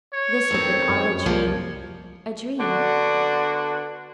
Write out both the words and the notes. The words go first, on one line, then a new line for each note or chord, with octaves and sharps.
This had been all a dream--a dream.
C#5
F2 D#3 C4
F#2
C2 F3 A#3
D3 B3 D4 F#4